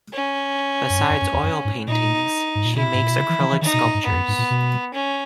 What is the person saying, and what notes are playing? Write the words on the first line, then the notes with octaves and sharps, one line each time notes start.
Besides oil paintings, she makes acrylic sculptures.
C#4
F#2
G#2
F#2
F#2
E2
F#2
G#2
A#2 D#4
G#2
A#2
B2 E4
G#2
A#2
B2
C#3
E3
E3
E3
D#3 D#4
B2
A#2
G#2
G#2 B3
E2
F#2
G#2
A#2
B2
C#4